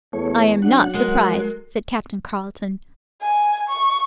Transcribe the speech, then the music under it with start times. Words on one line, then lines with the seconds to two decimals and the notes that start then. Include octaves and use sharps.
"I am not surprised," said Captain Carleton.
0.13 E2 A3 C#5
0.62 F#3 D4 F#5
0.95 G#3 A#4
3.22 G#5
3.69 C#6